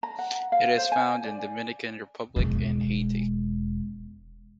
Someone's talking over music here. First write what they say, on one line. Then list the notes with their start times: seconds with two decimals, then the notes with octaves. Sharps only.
It is found in Dominican Republic and Haiti.
0.03 A#5
0.19 F#5
0.52 F5
0.77 C5
0.92 G#5
1.24 D5
2.36 E1 G#3